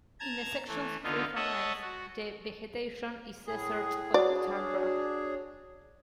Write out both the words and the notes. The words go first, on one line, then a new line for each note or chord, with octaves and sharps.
In the sections free from ice, the vegetation is desert or tundra.
A5 A#5 G#6
E3 A3
D3 B3 D#4 F4
C#5 D#5 E5 F#5 A5
F#4
A2 G#4
D4 F#4 G#4 C#5 D5